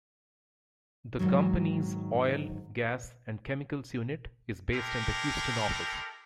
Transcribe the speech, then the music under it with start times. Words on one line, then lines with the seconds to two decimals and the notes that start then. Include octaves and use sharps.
The company's Oil, Gas and Chemicals unit is based in the Houston office.
1.19 G#2 B2 D#3 F#3
4.73 G#3 E4 G4 A4 A#4